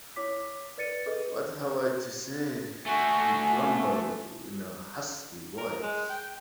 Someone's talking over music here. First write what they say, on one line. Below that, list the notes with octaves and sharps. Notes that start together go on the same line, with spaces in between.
"What have I to say?" he grumbled in a husky voice.
E4 C#5 D6 B6
B4 D5 A6 C#7 D#7
G#4 A4 B4 D#5
A3 F#4 G#5
A#4
G#3
G5